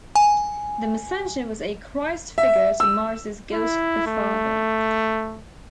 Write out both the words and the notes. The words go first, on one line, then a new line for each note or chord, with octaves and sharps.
The Messenger was a Christ figure to Morris's God the Father.
G#5
E5
E6
E4
A3